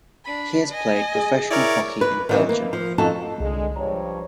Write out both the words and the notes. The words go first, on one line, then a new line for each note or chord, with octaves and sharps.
He has played professional hockey in Belgium.
D4 B5
D#5 G#5
G#4
E4 A#4 C#5 D5
B4
D#3 E3 C4
A#3
F3
F2 C#4 D#4 F#4 A4 A5
C2 D3 G#3
G2 F3 C#5 A#5